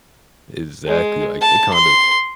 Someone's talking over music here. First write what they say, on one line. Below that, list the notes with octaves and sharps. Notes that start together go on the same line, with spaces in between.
Exactly, like, they kinda
G#3
A5
C6